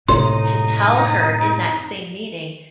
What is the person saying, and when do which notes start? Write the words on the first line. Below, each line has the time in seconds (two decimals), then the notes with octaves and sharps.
to tell her in that same meeting,
0.08 F#2 A2 C3 D#4 C6